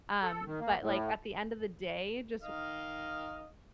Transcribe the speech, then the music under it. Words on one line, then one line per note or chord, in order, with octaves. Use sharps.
Um, but, like, at the end of the day, just,
A4
D#3
A#3
A2
D#3 D#5 F5